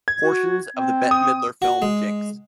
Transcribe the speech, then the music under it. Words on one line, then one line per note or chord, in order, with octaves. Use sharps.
Portions of the Bette Midler film Jinxed!
G#6
F#4
C4
D#6
F#4
G#3